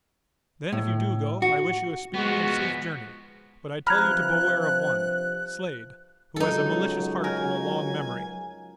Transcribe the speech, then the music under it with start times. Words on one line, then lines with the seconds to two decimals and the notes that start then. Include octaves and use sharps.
"Then if you do go I wish you a speedy and safe journey, but I tell you to beware of one, Slade, who has a malicious heart and a long memory."
0.72 A2
1.42 F#4
2.14 F3 G#3 B3 F#4
3.87 G2 C3 F3 A#5 B5 F6 F#6 G#6
6.36 C#2 F#3 D#4 A4
7.24 A#4 G#5